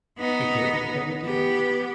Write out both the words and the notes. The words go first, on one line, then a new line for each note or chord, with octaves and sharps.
We could, and we did.
B3 D#4
B3 G4